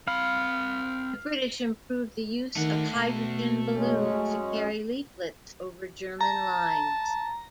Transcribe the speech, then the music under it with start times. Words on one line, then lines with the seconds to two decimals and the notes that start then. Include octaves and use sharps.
The British improved the use of hydrogen balloons to carry leaflets over German lines.
0.08 C4 F5 B5
2.56 D#3 A3 F#5
2.95 B2
3.74 F#2 G#3 C#4
6.21 A5 A#5